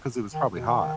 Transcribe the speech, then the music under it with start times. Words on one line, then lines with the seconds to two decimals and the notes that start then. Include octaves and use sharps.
'Cause it was probably hot.
0.34 D#3
0.56 B2
0.67 D#3
0.78 D#3